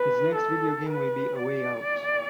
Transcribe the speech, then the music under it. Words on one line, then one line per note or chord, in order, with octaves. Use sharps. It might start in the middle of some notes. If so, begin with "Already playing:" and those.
His next video game will be "A Way Out".
Already playing: B4
A4
B4
D5